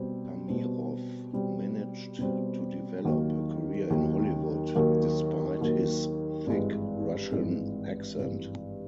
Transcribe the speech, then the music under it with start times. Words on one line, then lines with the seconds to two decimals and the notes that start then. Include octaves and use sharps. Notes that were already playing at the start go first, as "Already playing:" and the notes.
Tamiroff managed to develop a career in Hollywood despite his thick Russian accent.
Already playing: B2 G3 C4
0.47 B2 G3 C4
1.33 B2 G3 C4
2.19 B2 G3 C4
3.05 D#2 D#3 F#3 A#3
3.90 D#2 D#3 F#3 A#3
4.75 D#2 D#3 F#3 A#3
5.61 D#2 D#3 F#3 A#3
6.46 G#1 G2 E3 G#3
7.31 G#1 G2 E3 G#3
8.18 G#1 G2 E3 G#3